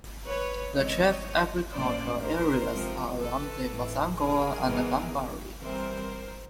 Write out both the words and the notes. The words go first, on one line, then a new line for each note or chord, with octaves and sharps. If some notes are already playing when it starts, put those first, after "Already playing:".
The chief agricultural areas are around the Bossangoa and Bambari.
B4 C#5
C3 E3 G#3 C4 C#5 D#5
A2 F#3 A#3 C#4 C5 D5
A#4 C5
C3 F3 G#3
A4 B4
A2 E3 A3 C4
G#4 A#4
G#2 E3 G#3 B3
C3 E3 G3 C4 A#4 C5